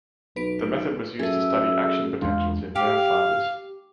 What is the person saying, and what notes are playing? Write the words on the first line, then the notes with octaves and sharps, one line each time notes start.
The method was used to study action potentials in nerve fibers.
B1 B4 D7
F#2 G#4 A4 E5
E2 G#3 D4 F4
G4 F5